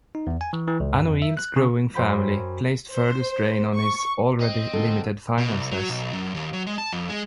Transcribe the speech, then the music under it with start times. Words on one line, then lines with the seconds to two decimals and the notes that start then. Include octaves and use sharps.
Anouilh's growing family placed further strain on his already limited finances.
0.15 D#4
0.27 E2
0.41 G#5
0.53 E3
0.68 E3
0.80 C#2
0.93 G2
1.07 F2
1.22 E5
1.37 F#6
1.56 C#3
1.94 F#2 C5 G5 B5 B6
2.92 C5
3.75 C#6
4.40 C4 D#5
4.73 A#2 D3 A4
5.38 B2
5.52 C2
5.71 F#3
5.88 B1
6.13 F#2
6.34 D#2
6.53 F#3
6.67 G#3
6.78 A5
6.93 F2
7.09 G#3